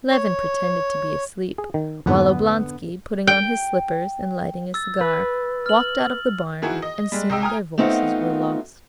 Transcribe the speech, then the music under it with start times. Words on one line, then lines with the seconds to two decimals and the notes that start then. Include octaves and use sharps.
Levin pretended to be asleep, while Oblonsky, putting on his slippers, and lighting a cigar, walked out of the barn, and soon their voices were lost.
0.11 C#5
1.58 G#4
1.74 D#3
2.06 F2 G#2 D3 B3
3.27 G5
4.74 E6 A6
5.01 B4
5.66 F6 F#7
6.62 D#3 E3 F#4 G#4 A#4
6.82 D#5
7.12 G3 G#3
7.30 C2 D#5 G5 E6
7.42 G5 G#5 A#5 D#6 F6
7.78 A3 B3 C4 D#4 F4 F#5